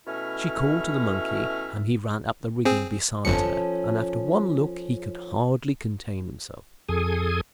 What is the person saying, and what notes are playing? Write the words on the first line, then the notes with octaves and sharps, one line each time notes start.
She called to the monkey, and he ran up the rigging beside her, and after one look he could hardly contain himself.
B2 A3 C#4 E4 E5 F6
C4 G#4
G1 F2 F3 C#4 A4 C#7
F2 G#4 A4 G#5 D#6